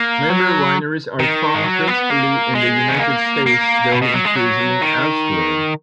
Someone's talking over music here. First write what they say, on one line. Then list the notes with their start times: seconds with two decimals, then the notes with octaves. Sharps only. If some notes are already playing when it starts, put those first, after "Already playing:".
Member wineries are found principally in the United States, though increasingly elsewhere.
Already playing: A#3
0.30 F#3
1.19 D#3
1.55 G#3
1.64 F#3
1.88 B3
2.11 A#3
2.55 G#3
2.89 B3
3.00 A#3
3.46 A#3
3.92 B2
4.02 B2
4.14 F#3
4.25 G#3
4.36 F#3
4.81 D#3